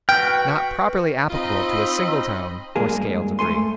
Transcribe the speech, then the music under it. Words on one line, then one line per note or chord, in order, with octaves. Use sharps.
Not properly applicable to a single tone or scale degree.
F#4 B4 G5 F6
C4 D#4 F4 D#5 B5
G2 G#3 A#3 G#4
A3 A4 G#5 C6